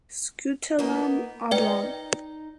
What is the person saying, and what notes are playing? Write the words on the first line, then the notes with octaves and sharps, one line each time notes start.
Scutellum oblong.
A#3 B3 D#4
D#4 B4 D5 G5